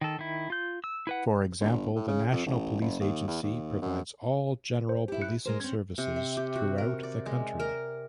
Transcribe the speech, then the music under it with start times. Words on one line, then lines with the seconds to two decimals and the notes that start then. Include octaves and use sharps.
For example, the National Police Agency provides all general policing services throughout the country.
0.01 D#3 A4
0.19 D#3 E4
0.50 F4 G6
0.84 E6
1.07 E4 B4 F#5
1.60 G1
1.95 A2
2.07 C#3
2.32 F2
2.46 A1
2.81 F#1
3.00 D#2
3.27 E2
3.43 D#2
3.81 F#2
4.89 C5
5.08 E4 G4
5.22 F#6 C#7
5.46 G#3 A#4 C5
5.60 C4 C#4 G#6
5.98 C3
6.16 E5
6.37 G4
6.55 F#4
6.78 A#4
7.03 D5
7.26 G#3
7.60 A#4